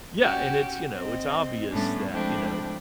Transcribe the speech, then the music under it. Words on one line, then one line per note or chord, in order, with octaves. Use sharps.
Yeah, and it's you know, it's obvious that you know,
C#4 F#4 G4
C4 D#5
A2 G3 B3 C#4 D4
F3 G#3 A3 C4 D4 E4